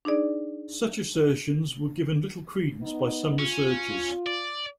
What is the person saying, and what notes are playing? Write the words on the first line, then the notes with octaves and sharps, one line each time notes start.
Such assertions were given little credence by some researchers.
D4 D#4 G#4 D5
B3 D#4
C#4 F4
D5